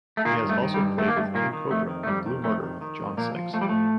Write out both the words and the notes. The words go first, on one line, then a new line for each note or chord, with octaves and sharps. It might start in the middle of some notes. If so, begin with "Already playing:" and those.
He has also played with King Kobra and Blue Murder with John Sykes.
A3
A#2 D#3 A#3
G2
A3
D#3
G3
G2
D#3 A3
A#3
G2 A3
A#2 D#3 A#3
D#3
F2 A3
D#3
A3
F2 G3
D#3
F2 A3
D#3
D#3
F2
A#2 F3 A#3
F3
F3 A3
G3
A2 A3